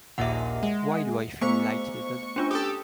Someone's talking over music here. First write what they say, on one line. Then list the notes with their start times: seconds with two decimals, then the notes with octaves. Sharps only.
Why do I feel light-headed?
0.18 A#1 D#2 A#2 E5 F#5
0.63 G#3
1.41 A3 B3 C5 C#6
2.36 C#4 D4 F4
2.51 G4 A4 D#6